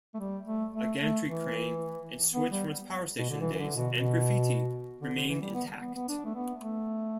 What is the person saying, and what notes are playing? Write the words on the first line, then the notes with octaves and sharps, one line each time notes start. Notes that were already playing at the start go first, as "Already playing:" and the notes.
A gantry crane and switch from its power station days and graffiti remain intact.
A3
G3
A3
A3
A3
E3
B3
G3
B2
D3
E3
E3
D3
B2
B2
D3
D3
E3
G3
B3
B3
B3
D4
A3
B3
A3